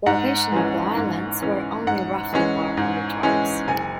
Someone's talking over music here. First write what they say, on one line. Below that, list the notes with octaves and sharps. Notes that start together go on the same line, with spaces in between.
The location of the islands were only roughly marked on charts.
G#2 F#5
E3 G#3 C#4
G#2
E3 G#3 C#4
G#2 F#5
E3 G#3 C#4
G#2
E3 G#3 C#4
F#1 G#5